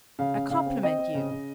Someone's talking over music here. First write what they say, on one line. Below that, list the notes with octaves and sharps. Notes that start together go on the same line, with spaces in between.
I compliment you!
C#3 F5
C#3
C#3 F5
C4
C4 D#5
C4
C#3
C#3